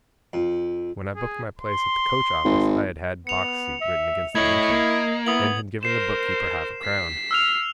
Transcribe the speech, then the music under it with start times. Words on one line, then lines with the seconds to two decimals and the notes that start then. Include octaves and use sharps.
When I booked my place at the coach office I had had 'Box Seat' written against the entry, and had given the book-keeper half-a-crown.
0.33 F2
1.16 G#4
1.59 C6
2.44 G#1
3.27 B3 C#7 F7
3.81 E5
4.35 A3 E4 C#5 D#5 G#6 F#7
4.71 A#3
5.26 B3 E4 D#6 F#7
5.83 A#4 C5 C7 E7
6.83 B6 C7
7.31 E6 F6 F7